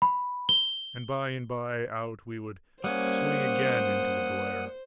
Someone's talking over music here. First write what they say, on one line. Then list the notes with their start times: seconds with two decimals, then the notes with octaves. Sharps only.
And by and by out we would swing again into the glare.
0.02 B5
0.49 G7
2.84 G3 A#3 C#4 C5 F#5 D#6